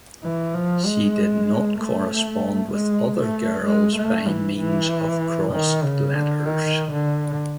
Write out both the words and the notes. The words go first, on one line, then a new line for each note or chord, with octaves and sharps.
She did not correspond with other girls by means of crossed letters.
E3
F3
G#3
A3
G#3
A3
G#3
A3
E3
E3
D#3
C#3
D3
D#3
D3